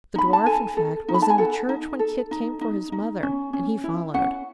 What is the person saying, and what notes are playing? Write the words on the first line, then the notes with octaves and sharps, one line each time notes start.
The dwarf, in fact, was in the church when Kit came for his mother, and he followed.
D#4 B5
A5
A4 G#5
A4
D#4
B5
A5
G#5
A4 F#5
D#4
A4
D#4
D#4
D#4
C#4
C#4
E4
C#4 F#5